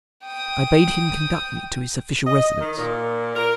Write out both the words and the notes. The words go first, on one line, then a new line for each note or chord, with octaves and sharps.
I bade him conduct me to his official residence.
G5 D#6
D#5
D#3
A#2
A#4